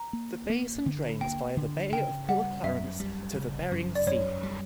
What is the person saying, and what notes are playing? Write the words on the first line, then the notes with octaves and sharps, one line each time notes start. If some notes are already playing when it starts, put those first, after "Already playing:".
The basin drains via the bay of Port Clarence to the Bering Sea.
Already playing: A#5
A#3
A#3
D3
A#3 G5
D3
C#3 G5
G3 F#5
F#2 E5
G3
C#3
F#2
D5
F#2 C#5
G3